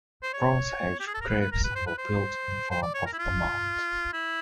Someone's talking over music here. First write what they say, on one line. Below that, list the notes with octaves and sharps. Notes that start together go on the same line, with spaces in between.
The Bronze Age graves were built in the form of a mound.
C5
C#5
G4
G#4
A4
A#4
B4
B4
A#4
B4
C5
B4
C5
C5
D5
C#5
A#4
E4
F4
E4